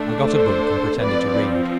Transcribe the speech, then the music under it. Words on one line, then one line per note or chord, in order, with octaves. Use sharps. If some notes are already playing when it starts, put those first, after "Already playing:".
I got a book, and pretended to read.
Already playing: D3 A3 D4
A4 C5
F3 C4 B4 D5